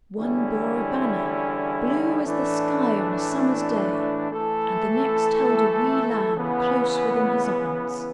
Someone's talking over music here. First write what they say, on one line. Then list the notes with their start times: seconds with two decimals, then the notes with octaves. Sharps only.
One bore a banner blue as the sky on a summer's day, and the next held a wee lamb close within his arms.
0.17 E2 D3 G3 C#4 E4
2.24 A2 E3 A3 D4
4.30 E3 A3 E4 A4
6.37 C#3 E3 B3